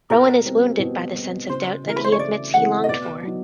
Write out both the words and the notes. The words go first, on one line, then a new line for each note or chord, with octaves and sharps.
Rowan is wounded by the sense of doubt that he admits he longed for.
B2 A#4
G3 C4
B2
G3 C4
C#3 C5
E3 A3 C4 A#4
B4
C5
C#5
C#3 D5
E3 A3 C4 F#5
D#5
B2 D5
F#3 B3 D#4